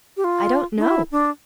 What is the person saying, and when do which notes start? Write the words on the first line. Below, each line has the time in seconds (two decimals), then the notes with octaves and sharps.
"I don't know."
0.17 G4
0.24 F4
0.78 D4
0.82 E4
1.12 D4